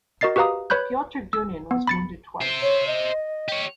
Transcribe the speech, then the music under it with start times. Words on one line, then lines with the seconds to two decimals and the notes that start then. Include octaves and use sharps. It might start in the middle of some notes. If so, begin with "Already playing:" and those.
Piotr Dunin was wounded twice.
0.21 F#4 A#4 D#5 A6 C7
0.36 F#4 G4 B4 F5 A#5 D#6
0.70 B4 C#5 B5 F#6 G6
1.33 E6
1.71 B3
1.87 B5 A6 C#7
2.41 C5 E5
2.62 C#5
2.87 D#5
3.48 G4 C#5